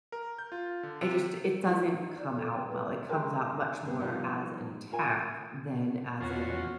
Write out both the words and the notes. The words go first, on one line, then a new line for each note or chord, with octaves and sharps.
I just it doesn't come out well, it comes out much more as an attack than as a,
A#4
G6
F4
D3
C3
E4
D#4
D5
A4
G5
B4
G#3 D#4 G4 A#4 G5
G2 B3
E3 F3 G3 A#3 B3 D#4
F4 A#4 G#5
E2 C#4 F4 F#4